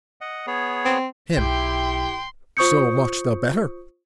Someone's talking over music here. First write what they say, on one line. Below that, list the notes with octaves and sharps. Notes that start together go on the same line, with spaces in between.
HIM: So much the better.
D#5 F#5
B3 G#4 C#5
C4
B1 E4 G4 G5 C6
F4 C5 C#6 D#6 G6 C#7